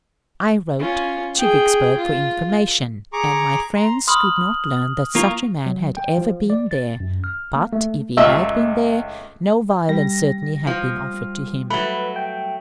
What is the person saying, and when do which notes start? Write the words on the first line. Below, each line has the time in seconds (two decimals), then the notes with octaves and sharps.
I wrote to Vicksburg for information, and my friends could not learn that such a man had ever been there; but, if he had been there, no violence certainly had been offered to him.
0.79 C#4 F4
1.38 G#4 G5
1.97 F4
3.13 G#4 A#5 C#6 D6
3.76 A#5 C6
4.08 B5 C6 D#6 F6 F#7
5.15 A#3 F4 A#4 C#6
5.66 F#3
5.97 G5
6.18 F3
6.50 D5
6.71 A6
7.00 F#2
7.24 F6
7.56 A#3
7.73 A3
8.17 C#2 A#2 A3 D#5 E5 F6
9.89 G3 A#6
10.67 F3
11.70 F#3 A3 B4
12.16 G5